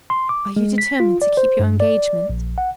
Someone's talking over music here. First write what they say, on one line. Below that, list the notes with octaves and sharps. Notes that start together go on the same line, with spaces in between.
"Are you determined to keep your engagement?"
C6
D6
G#3
B6
F4
D5
C5
G2
D5
A#1
F#5